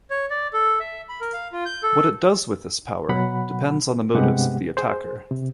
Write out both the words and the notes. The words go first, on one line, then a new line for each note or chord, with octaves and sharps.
What it does with this power depends on the motives of the attacker.
C#5
D5
A4
E5
B5
A#4
F5
F4
G6
A4
B2 F#3 F#5 B5
G2 C3 G#3 B3 G4 F#5
G#4 C5
C3